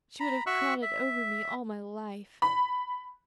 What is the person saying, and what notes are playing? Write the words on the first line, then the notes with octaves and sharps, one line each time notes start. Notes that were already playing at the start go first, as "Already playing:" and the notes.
She would have crowed over me all my life.
A#5 B5
F#4 E5 C#6 E6 F#6
E5
B5